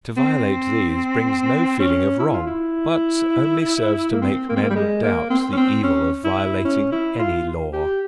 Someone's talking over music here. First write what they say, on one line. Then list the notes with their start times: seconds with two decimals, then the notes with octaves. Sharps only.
To violate these brings no feeling of wrong, but only serves to make men doubt the evil of violating any law.
0.17 C4
1.80 C#4
2.20 E4
2.34 F4
2.47 E4
4.13 A#3
4.22 C4
4.49 A#3
4.56 C4
4.63 A#3
4.70 G3
4.76 G#3
5.03 A#3
5.30 C4
5.53 C#4
5.57 C4
5.84 C#4
6.24 E4
6.65 C#4
6.92 E4
7.19 F4
7.73 G4